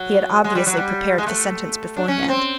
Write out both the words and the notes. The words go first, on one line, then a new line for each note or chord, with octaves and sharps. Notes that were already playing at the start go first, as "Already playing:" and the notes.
He had obviously prepared the sentence beforehand.
Already playing: F#3
G#3
G3
F#3
G3
G#3
A3
D4
C#4
C4